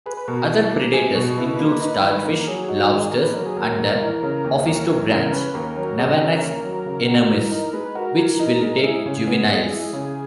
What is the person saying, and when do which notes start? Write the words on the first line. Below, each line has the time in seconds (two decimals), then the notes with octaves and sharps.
Other predators include starfish, lobsters, and the ophistobranch "Navanax inermis" which will take juveniles.
0.06 G#4 B4
0.17 B4
0.28 B2 A#4
0.49 E4
0.71 A#3
0.93 G#4
1.15 B2
1.37 E4 B4
1.53 B4
1.59 A#3
1.81 D#4
2.03 D#3
2.25 A#3 A#4
2.47 F#3 G#4
2.69 D#4 F#4
2.90 D#3 G#4
3.12 A#3 A#4
3.23 B4
3.35 F#3 A#4
3.46 G#4
3.56 D#2 A#4
3.78 D#2
4.01 E3
4.23 C#3
4.44 D#2
4.66 D#2 A#4
4.88 E3 A#4
5.10 C#3 A#4
5.32 C#4 B4
5.54 D#2 A#4
5.76 F#3 A#4
5.98 C#3 G#4
6.20 C#4 A#4
6.42 D#2
6.64 F#3
6.86 C#3
7.08 F#4
7.30 E3
7.51 D#4 A#4
7.73 G#3 B4
7.95 F#4 A#4
8.17 E3
8.39 D#4
8.62 G#3
8.83 E4 G#4
9.06 C#3
9.28 B3
9.50 G#3
9.71 E4
9.93 C#3